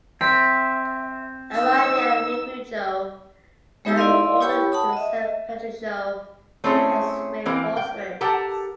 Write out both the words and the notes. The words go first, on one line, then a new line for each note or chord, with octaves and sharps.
Arriving at Refugio they were ordered to San Patricio as reinforcements.
C4 E5 B6
D#4 E6
G#3 B3 D#4 G4 A#5 E6
E4 D5 D#5 F5 C6
E4 G4 C#5 G5 B5 C#6
F#5 A5 B5 D#6
D#5 E5
A3 C4 C#4 E4 G#4 C#5
E3 A#3 C4
G5
G4 A4 A#4 F#5 A5